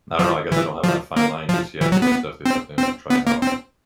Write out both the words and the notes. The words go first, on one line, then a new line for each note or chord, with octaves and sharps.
I don't know, I guess I don't have that fine line just yet, so it's definitely something I can try out.
F3
E3
F3
A#3
F3
E3
F#3
B3
C4
C4
B3
A#3
C4